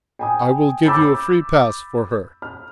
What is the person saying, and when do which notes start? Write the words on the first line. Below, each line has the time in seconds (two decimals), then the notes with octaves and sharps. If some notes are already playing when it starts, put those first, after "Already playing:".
I will give you a free pass for her.
0.19 G5 G#5 D#6
0.86 B5 D6 E6 G6 A6
2.42 F6